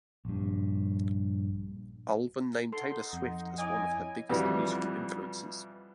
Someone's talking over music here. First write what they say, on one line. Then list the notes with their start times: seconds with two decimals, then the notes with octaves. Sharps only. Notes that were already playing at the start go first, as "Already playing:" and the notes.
Ulven named Taylor Swift as one of her biggest musical influences.
0.25 A#1 G2
2.72 D#4 A4 F#5 C6
3.13 F2
3.58 E4 C#5 D#5 G#5 D6
4.30 F2 B2 E3 G3